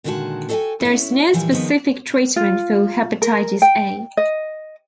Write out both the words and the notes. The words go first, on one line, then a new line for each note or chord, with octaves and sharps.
There is no specific treatment for hepatitis A.
A#2 D3 D#3 G#3 F#4 A5
F#4 A4 D5 D#5 G5 G#5
C#4 E4
A#2 E3 F3 G3
D#3 F3 G#3 A#3 B3 D#4
F4
A#4
G5
D#5